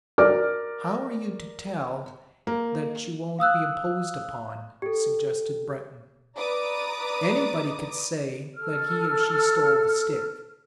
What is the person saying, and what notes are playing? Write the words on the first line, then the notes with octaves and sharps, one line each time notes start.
"How are you to tell that you won't be imposed upon?" suggested Breton. "Anybody can say that he or she stole the stick."
A#4 D5 D6 F6
A#3
F5 D#6 E6 F#6
G4 A4
B4 D5 A#5 D6 D#6
A4 F6